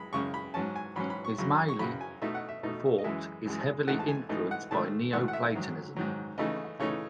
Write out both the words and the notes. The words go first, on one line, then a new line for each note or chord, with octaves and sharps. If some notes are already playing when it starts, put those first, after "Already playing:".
Ismaili thought is heavily influenced by neoplatonism.
Already playing: F#2 G#3 B5
F#2 C#3 G#3 C#6
B5
G#2 F#3 C#4 A5
G#5
G#2 F#3 C#4 B5
B5
C#6
F#2 C#3 F#3
C#6
F#2 C#3 F#3 B5
G#5
B2 A3 D#4 E5
F#5
E5
B2 A3 D#4
D#5
F#2 E3 G#3 E5
F#2 E3 G#3
G#2 E3 A3 D#4 F#5
A5
G#5
G#2 E3 A3 D#4 D#5
F#5
G#2 D#3 A3 A5
G#2 D#3 A3 F#5
F#5
E5
G#2 D#3 F#3
G#2 D#3 F#3
C#3 E3 A3 D#4 D#5
C#3 E3 A3 D#4 C#5